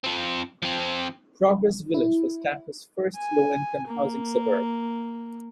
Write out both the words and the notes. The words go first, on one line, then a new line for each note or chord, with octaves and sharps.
Progress Village was Tampa's first low-income housing suburb.
F3 C4
F3 C4
E4
G#5
A#3